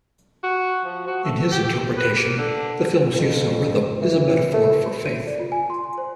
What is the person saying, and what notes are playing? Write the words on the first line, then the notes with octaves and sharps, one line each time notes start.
In his interpretation, the film's use of rhythm is a metaphor for faith.
F#4
F3
F#4
A3
G4
B4
A#3
D3
F2
E3
A3
D#7
D5
F4
G#5
C6
C6
C5